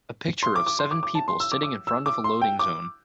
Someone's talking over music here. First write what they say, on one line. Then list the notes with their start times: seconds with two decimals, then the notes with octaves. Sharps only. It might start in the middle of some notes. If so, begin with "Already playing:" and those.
A picture of seven people sitting in front of a loading zone.
0.43 C6
0.56 D6
0.66 D6
0.79 C6
0.91 D6
1.03 D6
1.15 A5
1.28 C6
1.40 E6
1.52 D6
1.63 D6
1.87 E6
2.06 D6
2.24 C6
2.42 G5
2.59 D6